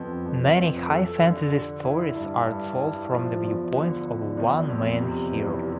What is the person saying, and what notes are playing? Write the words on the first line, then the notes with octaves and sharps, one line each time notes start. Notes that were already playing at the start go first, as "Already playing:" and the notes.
Many high fantasy stories are told from the viewpoint of one main hero.
Already playing: F2 B3
F2
F2
A4
D3
D3
E4
G2
G2
E4
F3
E2
D3
D3
E2
F2
C3
E3
C3